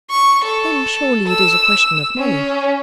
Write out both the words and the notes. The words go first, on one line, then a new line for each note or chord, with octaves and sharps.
"Then surely it is a question of money."
C#6
A4
E6
C#4